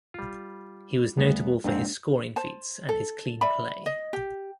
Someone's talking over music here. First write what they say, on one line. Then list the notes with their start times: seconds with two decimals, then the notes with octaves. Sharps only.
He was notable for his scoring feats and his clean play.
0.14 G3 F4
1.17 E2 G3 A3 B3
1.64 F2 G#2 G#3 A#3 C4 D4
2.36 C5 A5
2.89 A4
3.41 D5 E5 B5
3.86 D#5
4.13 G4